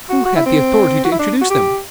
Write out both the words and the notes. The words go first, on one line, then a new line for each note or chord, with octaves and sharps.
Who had the authority to introduce them?
F#4
F#4
E4
C4
F#4
E4
D4
F#4
G4